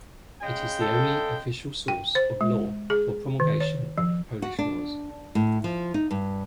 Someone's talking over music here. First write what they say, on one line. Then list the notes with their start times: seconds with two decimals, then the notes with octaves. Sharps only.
It is the only official source of law for promulgation of Polish laws.
0.41 C#3 G#3 G5
0.80 A4
1.88 G5
2.15 C5
2.41 G#3
2.90 G#4
3.40 D#3
3.60 C#5
3.98 F3
4.42 F#4
4.59 D4
5.35 A2
5.64 F3
5.94 D#4
6.11 G2